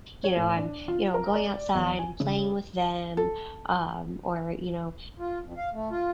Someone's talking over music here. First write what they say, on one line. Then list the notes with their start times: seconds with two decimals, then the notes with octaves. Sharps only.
you know, I'm, you know, going outside and playing with them, um, or, you know,
0.24 C#5
0.37 A2
0.57 D4
0.88 F4
1.14 A#4
1.35 D5
1.74 E2
1.99 G#5
2.20 C#3
3.17 A4
5.19 F4
5.43 F2
5.57 F5
5.74 A3
5.90 F4